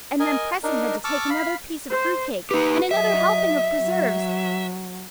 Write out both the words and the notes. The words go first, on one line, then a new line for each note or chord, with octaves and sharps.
And then pressing her to take another piece of fruit cake and another helping of preserves.
A#4 D#5 G#5
D4 D#4 A#4
A5 C#6 D6 E6 F6
F5 B5
C5
D#4 G4 B4
F#3 D#5 E5
F#3